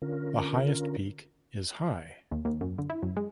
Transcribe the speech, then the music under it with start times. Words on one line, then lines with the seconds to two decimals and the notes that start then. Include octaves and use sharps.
The highest peak is high.
0.02 D3 C#4 F4 A#4
2.31 D#2
2.45 D#2
2.61 F#2
2.78 D3
2.90 E4
3.03 F#2
3.17 G#3